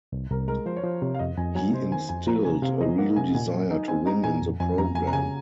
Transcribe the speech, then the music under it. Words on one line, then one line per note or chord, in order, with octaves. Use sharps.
He instilled a real desire to win in the program.
C2
C2 A#4
G#3 A#4
F3 C5
C#5
F3 C5
C3 C#5
F5
F2 D#5
F2 G#5
F#3 G#5
C3 C5
D#3 G#5
F2 G#5
F3 A#5
C3 G#5
C3 F5
F3 D#5
A#3 F#5
C3 G#5
A#2 G#5
F#3
D#4
C4 G#5
D#4 A#5
A#2 G#5
F2
F2 G#5
F2 A#5
F2 G#5
A#5
C#3 G#5